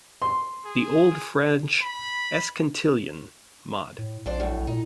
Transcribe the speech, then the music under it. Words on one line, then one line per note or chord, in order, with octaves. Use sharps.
The Old French "escantillon", mod.
C6
G#4
B5
A2
A#1 F2 D4 C5
F#2 A2
A#2 D#4